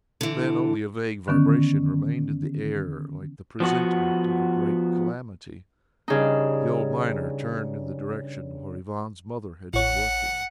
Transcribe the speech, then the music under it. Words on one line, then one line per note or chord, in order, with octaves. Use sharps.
Then only a vague vibration remained in the air like the presentiment of a great calamity. The old miner turned in the direction where Ivan's mother had been working.
D3 E3
D3 D#3 B3 C#4
F3 B3 F#4
G2 C#3 D#4
A1 C#5 F#5